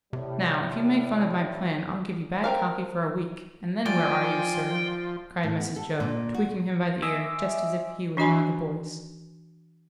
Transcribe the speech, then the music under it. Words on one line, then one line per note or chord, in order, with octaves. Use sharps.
"Now, if you make fun of my plan I'll give you bad coffee for a week, and then where are you, sir?" cried Mrs. Jo, tweaking him by the ear just as if he was one of the boys.
A2 C3 G3
C4 A#4 F5
F3 D5 G5 G#5
A2
B3
A4
A#2
F#4
D#5 E5 G#5 C6 D6 E6
E3 D4 F#4 D#5 G#5 C6